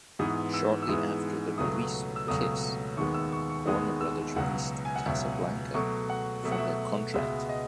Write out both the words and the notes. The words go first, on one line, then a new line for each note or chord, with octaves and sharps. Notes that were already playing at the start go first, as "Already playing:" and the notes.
Shortly after the release of "Kiss", Warner Brothers released Casablanca from their contract.
G#2 E3 G#3 B3 D#6
E6
E6
G#2 E3 G#3 B3 D#6
C#2 B2 F#3 A3 D#6
E6
C#2 B2 F#3 A3 D#6
D#2 D#3 G#3 B3 C#6
E6
C#6
C#6
D#2 D#3 G#3 B3 D#6
E6
C#2 B2 F#3 F#5
G#5
F#5
C#2 B2 F#3 E5
B2 F#3 A3 C#6
F#5
B2 F#3 A3 E5
F#5
E5
C#2 B2 G#3 B3 E5
D#5